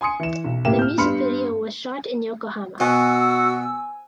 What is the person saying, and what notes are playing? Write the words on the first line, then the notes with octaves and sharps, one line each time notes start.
The music video was shot in Yokohama.
G#5 C6 D#6 C#7
E3 E7
B1
A2 C#3 A#3 G4 E7
F6 G6
G2 B3 B5 C6 F6 C#7
B2 F#4 G#5 E6